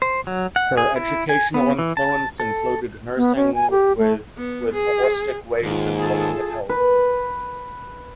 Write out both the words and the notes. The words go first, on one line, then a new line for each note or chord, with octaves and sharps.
Her educational influence included nursing with "with holistic ways of looking at health".
C5
F#3
F#5
G#4
E4
G#5
B3
E3
A5
A4
B3
C#4
G#5
G4
A3
B3
G#4
D#2 G#2 F4
F4 G#4 A4 A5
B4